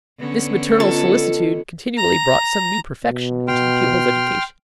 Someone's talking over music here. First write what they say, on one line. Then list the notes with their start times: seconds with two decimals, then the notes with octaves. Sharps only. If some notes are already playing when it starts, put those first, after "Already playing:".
This maternal solicitude continually brought some new perfection into the pupil's education.
0.19 D3 B3 C#4
0.80 F4 A4 D#5
1.97 A#5
3.05 B2
3.48 G5 C6 F6